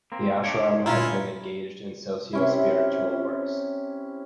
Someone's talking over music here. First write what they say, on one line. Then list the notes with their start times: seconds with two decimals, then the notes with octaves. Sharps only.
The ashram has been engaged in socio-spiritual works.
0.12 A#3 C4
0.44 D4 C#5 C#7 D7
0.86 D2 A#2 G#3 C#4 E4 F4 A#5 B5
2.33 C3 C#4 E4